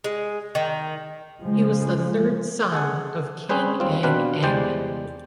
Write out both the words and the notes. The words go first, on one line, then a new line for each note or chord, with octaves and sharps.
He was the third son of King Ang Eng.
G#3
D#3
C#3 F3 G#3
G#4 A4 F#5 G#5
C4 C#4 G#4 B4 C5
D#2 C4 F4
B2 C4 D4 B4 F5
E2 G3 G#3 C5 D5 G5